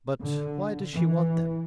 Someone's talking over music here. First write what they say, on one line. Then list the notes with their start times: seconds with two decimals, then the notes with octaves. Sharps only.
"But why does she want them?"
0.22 D3
0.94 E3